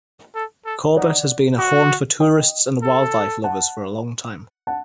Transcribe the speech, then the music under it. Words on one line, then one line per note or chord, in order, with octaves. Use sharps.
Corbett has been a haunt for tourists and wildlife lovers for a long time.
A4
A4
D#4 D5 F#5
F#4
D#5 G5
A4
F#5 A5
F#5 A5